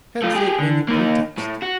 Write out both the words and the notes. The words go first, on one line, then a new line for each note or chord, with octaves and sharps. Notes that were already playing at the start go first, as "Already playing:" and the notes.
Had they any pretext?
A3 F4
G4 G#4
D3
A#3 D#4
A2
F#4